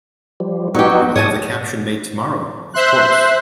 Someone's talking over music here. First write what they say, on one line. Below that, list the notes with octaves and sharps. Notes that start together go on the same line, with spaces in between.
You will have the caption made tomorrow, of course?
F3 G3
F#3 B3 D#4 F#4 G4
G#2 C#5 A5 D#6
C5 E5 C6 F#6